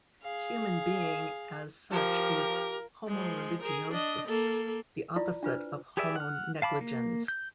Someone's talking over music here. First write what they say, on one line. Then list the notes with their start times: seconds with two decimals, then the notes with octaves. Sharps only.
Human being as such is "homo religiosus", the opposite of "homo negligens".
0.22 G#4 F5
1.92 F3 G4 A#4
3.07 F3 G#3
3.62 G#4 A#4
3.91 D4 D#5
4.28 A#3 A4
5.16 E4 F4 D5
5.43 D4 F4 B4 C5
5.97 G4 G#4 B4 D5 E5
6.16 F#5 F6
6.62 F5 A5 B5 D6
6.81 A#3
7.28 G6